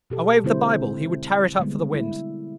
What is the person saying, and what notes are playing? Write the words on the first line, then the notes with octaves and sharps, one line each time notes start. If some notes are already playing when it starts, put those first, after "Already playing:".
Away with the Bible: he would tear it up for the winds!
B2 G4 A4
D3 G#3 C4 E4 C5
D3 G3 G#3 B3
E4